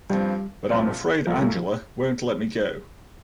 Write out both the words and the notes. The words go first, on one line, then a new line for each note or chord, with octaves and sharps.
But I’m afraid Angela won’t let me go.
G2 F3 G3 C4
C2 A#2 F3 C4
C2 A#2 F3 A3
G3
F3